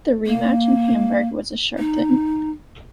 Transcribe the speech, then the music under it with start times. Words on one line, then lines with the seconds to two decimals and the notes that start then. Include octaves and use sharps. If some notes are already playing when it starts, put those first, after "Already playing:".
The rematch in Hamburg was a sure thing.
0.26 A#3
1.79 D#4